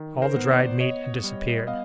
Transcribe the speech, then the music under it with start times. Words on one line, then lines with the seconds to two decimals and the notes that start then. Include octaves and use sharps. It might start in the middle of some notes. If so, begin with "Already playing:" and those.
All the dried meat had disappeared.
Already playing: D#3
0.22 A#4 C5
0.36 B3
0.50 C5 D5
0.80 B3 C#5 D#5
1.24 G3
1.67 B3 D#5 F5